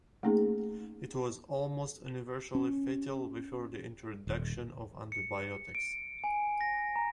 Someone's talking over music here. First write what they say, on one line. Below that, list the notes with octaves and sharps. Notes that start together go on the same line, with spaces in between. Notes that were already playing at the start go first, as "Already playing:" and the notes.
It was almost universally fatal before the introduction of antibiotics.
A3 A#3 C#4 D#4 G#4
C#4
D#1
C#7
D7
G#5
A#6
A#5